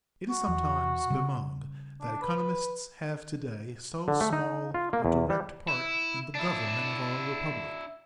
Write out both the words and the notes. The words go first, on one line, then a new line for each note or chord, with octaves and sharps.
It is sometimes bemoaned that economists have to-day so small a direct part in the government of our republic.
F#4
E2
C#3 G3
D4
B4
D3
A3
D#4
F4
A#3
E2
G3
E4
D4 E4